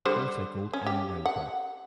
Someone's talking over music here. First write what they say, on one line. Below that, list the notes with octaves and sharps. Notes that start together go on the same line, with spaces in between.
Also called Anne Roper.
D3 G3 C5
C#4
G4
F#5